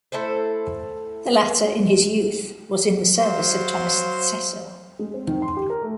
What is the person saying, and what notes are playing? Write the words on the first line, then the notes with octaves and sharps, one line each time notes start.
The latter, in his youth, was in the service of Thomas Cecil.
A3 E4 A4 C5
F#3 C5 F5
G#3
C4
D#3
C6
G4
A#4
A3